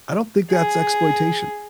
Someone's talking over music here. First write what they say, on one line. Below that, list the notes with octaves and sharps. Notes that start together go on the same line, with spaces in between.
I don't think that's exploitation.
G#4